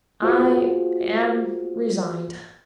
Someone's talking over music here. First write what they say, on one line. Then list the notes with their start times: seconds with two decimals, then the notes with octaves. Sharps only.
I am resigned.
0.22 A#3 F4 F#4 G#4 C5